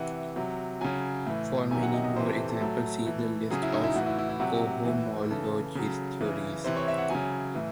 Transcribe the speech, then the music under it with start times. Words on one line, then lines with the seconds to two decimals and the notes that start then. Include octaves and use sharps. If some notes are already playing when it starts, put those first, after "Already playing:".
For many more examples, see the list of cohomology theories.
Already playing: C3 E3 F#5
0.36 C3 F#3
0.81 C#3 F#3 G#5
1.26 A2 E3
1.71 C3 D#3 F#3 G#5
1.83 F#5
1.94 D#5
2.04 D#5
2.16 C3 E3 C5
2.27 A4
2.49 A4
2.61 A2 F#3 A4
3.06 A2 E3
3.51 C#3 F#3 G#4
3.62 E4
3.72 D#4
3.84 E4
3.95 A2 F#4
4.00 E3
4.06 E4
4.18 E4
4.29 E4
4.40 C3 F#3 F#4
4.85 A2 E3
5.30 C#3 E3 A4
5.75 C#3 F#3
6.21 C#3 E3
6.64 C3 E3 C5
6.76 C#5
6.88 E5
6.98 F#5
7.10 C#3 F#3 G#5
7.55 A2 E3